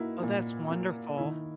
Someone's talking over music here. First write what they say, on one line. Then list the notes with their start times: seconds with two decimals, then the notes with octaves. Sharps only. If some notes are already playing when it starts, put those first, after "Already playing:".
Oh, that's wonderful.
Already playing: A#3 D#4 E4 F#4
0.23 A#2
0.70 A#3
1.18 D#3 E4